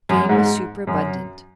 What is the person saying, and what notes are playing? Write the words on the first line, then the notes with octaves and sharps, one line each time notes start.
Game was superabundant.
F#2
G#2
F#2